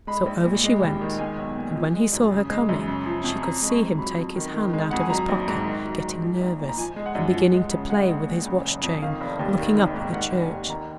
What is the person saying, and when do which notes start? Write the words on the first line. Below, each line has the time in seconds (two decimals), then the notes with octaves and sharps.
So over she went and when he saw her coming she could see him take his hand out of his pocket, getting nervous, and beginning to play with his watchchain, looking up at the church.
0.07 G#3 B5
0.26 A#1
0.45 A#2
0.64 G#3
0.82 D#2
1.01 D#3
1.19 G#3 G#5
1.37 B1
1.56 A#2
1.76 F3
1.93 G#3
2.13 F#2
2.31 C#3
2.50 G#3
2.69 F#2
2.87 C#3
3.06 F3
3.24 F2
3.42 F3 A#5
3.62 G#3
3.70 C#6
3.80 F2
3.98 F#3 B5
4.17 F2
4.35 D#3
4.54 D#3
4.73 G#3
4.91 F2 F#5
5.00 G#5
5.10 F#3 A#5
5.29 A#1
5.48 G#2
5.66 D#3
5.85 F#3
6.04 G#2
6.22 F3
6.41 A#1
6.60 A#2
6.69 A#5
6.78 F3 G#5
6.96 G#3
7.06 F#5
7.15 F#2
7.34 F3
7.52 G#3
7.71 C#3
7.90 G#3 F#5
8.09 A#1
8.27 A#2
8.46 C#3
8.65 F#1
8.83 F2
9.02 D#3 F5
9.21 F1
9.39 D#2
9.58 D#3
9.76 G#1
9.94 G#2
10.13 D#3 F#5
10.32 F1
10.41 G#5
10.50 D#2
10.69 D#3 A#5